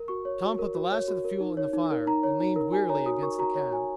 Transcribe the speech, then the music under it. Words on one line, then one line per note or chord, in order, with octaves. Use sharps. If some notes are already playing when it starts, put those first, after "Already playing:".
Tom put the last of the fuel in the fire, and leaned wearily against the cab.
Already playing: A#4
F#4 C#6
C#5
F#4
A#4
F#4
C#5
F#4
A#4
D#4
C#5
D#4
A#4
D#4 A#5
C#5
D#4
A#4
F#4 G#5
C#5 A#5
F#4 D#6
A#4 C#6
F#4 A#5
C#5
F#4 G#5